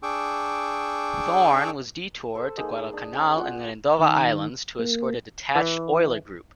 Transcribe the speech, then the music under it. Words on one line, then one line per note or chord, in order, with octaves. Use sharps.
"Thorn" was detoured to Guadalcanal and Rendova Islands to escort a detached oiler group.
D4 G#4 G5 C#6 D6 E6
A4 C5
G#3 A#3 D#4 G#4
D4
C#4 G#4
F4 D5 F#5
D#3
A#3
E3